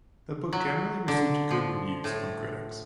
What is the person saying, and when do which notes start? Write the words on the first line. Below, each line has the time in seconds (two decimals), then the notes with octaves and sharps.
The book generally received good reviews from critics.
0.53 F#3
1.08 D3
1.51 F3
2.04 A2